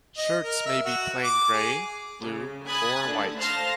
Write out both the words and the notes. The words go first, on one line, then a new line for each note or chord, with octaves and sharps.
Shirts may be plain grey, blue or white.
D#5
A#4
E5
F#4
D6
G#4
C#3
G#5 B5 D#6 F#6 G#6 A6
D3 A3 D4
C5 F5 A5 C6 A#6